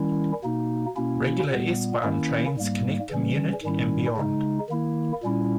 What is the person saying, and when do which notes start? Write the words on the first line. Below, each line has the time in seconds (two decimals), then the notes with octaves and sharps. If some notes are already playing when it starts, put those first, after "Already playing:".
Regular S-Bahn trains connect to Munich and beyond.
Already playing: D#3 G3 C#4 E4
0.44 B2 A#3 D#4
0.96 B2 A#3 C#4 E4
1.49 A#2 G3 B3
2.03 D#3 A#3 C#4 E4
2.57 G#2 G3 A#3
3.10 C#3 E3 G3 C#4
3.63 G#2 D#3 G3 C#4 E4
4.17 C#3 G#3 D#4
4.69 D#3 A#3 E4
5.23 A#2 G3 C#4 E4